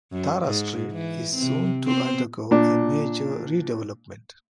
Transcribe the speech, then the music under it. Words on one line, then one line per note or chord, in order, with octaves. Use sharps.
Tara Street is soon to undergo a major redevelopment.
F#2
G#2
E3
C3 C4
B3 C4 C5
A#2 D4